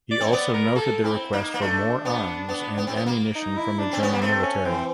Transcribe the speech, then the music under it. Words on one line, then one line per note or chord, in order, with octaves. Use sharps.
He also noted their request for more arms and ammunition from the German military.
D5
C4 C#5
B3 D5
A#4
A#3 A4
C4 E4
A#3 D#4
A#3
A3 D4
B3
B3
B3
C4
B3
A#3
D#4
E4
D4
C4
B3 C#4
A#3 B3
A3 C4
C#4
E3 C4